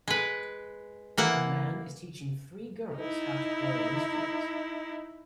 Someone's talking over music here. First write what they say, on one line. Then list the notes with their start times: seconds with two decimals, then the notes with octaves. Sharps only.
A man is teaching three girls how to play an instrument.
0.08 G#3 B4
1.18 E3 A#3 F#5
2.96 D#4 E4